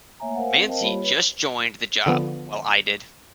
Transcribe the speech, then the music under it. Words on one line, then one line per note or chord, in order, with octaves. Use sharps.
Mansi just joined the job while I did.
A3 A#3 C#5 E5 G#5 A#5
A#4 C5 F5 F#5 G#5
C4
A#4 C5 D#5 F5 G5 A5
G3 A#3 F4 G4 C#5 B5
B4 C#5 B5
D3 F3 B3